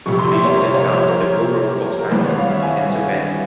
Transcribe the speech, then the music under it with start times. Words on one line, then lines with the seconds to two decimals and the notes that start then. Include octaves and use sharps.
To the east and south is the borough of Sayre, Pennsylvania.
0.06 G1 F2 C3 C#6
0.19 C6
0.31 E5
0.44 C#5
0.52 A#4
0.57 C5
0.74 C#5
0.92 C5
1.09 A#4
1.99 A#4
2.11 G#1 G2 E3 G#3 C5
2.24 C#5
2.37 F5
2.50 E5
2.63 G#5